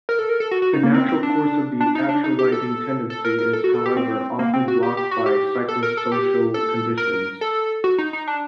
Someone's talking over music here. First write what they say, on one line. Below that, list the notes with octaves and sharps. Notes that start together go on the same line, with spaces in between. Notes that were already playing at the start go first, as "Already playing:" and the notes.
The natural course of the actualising tendency is, however, often blocked by psychosocial conditions.
A#4
A4
A#4
A4
F#4
F#4
D#4
A#3
C4
C4
D4
D4
D#4
D4
D#4
G4
A4
A4
A#4
A#4
A4
F#4
A4
G4
C4
A#3
C4
F#4
G4
G4
F#4
G4
A4
A#4
A4
G4
A4
A#4
A4
F#4
D#4
D#4
D4